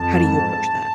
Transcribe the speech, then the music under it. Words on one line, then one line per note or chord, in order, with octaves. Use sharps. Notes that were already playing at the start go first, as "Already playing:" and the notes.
how do you approach that?
Already playing: F2 A5
G#2
G#2